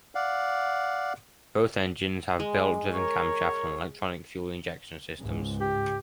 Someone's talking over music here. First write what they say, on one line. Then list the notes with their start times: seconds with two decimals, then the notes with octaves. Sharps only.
Both engines have belt driven camshafts and Electronic Fuel Injection systems.
0.15 D5 F5 F#5
2.40 G#3
2.93 A#4 C#5
5.18 C#2 G#2
5.61 G4